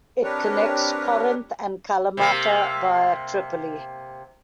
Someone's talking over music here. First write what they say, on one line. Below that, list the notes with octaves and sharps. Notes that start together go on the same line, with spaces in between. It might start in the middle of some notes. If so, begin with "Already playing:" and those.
It connects Corinth and Kalamata via Tripoli.
C4 D4 G4 A#4 B4 C#5
C3 A#3